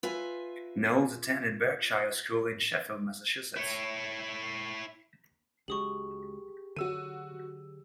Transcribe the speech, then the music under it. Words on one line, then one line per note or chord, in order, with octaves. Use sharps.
Knowles attended Berkshire School in Sheffield, Massachusetts.
F4 B4 E5 G#5
E4 C#5
C#2 F#3 G#3 G4 G#4 C#6 D#6 F#7
D3 F#3 F#4 E6 D#7